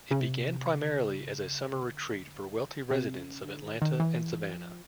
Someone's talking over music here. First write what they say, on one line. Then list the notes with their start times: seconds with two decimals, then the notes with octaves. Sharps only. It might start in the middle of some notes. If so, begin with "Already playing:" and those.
It began primarily as a summer retreat for wealthy residents of Atlanta and Savannah.
0.11 C#3
0.20 C3
0.73 C#3
0.95 D3
1.02 C#3
1.82 D3
2.91 C3
3.18 C#3
3.45 D3
3.63 D#3
3.82 D#3
4.00 E3
4.53 F3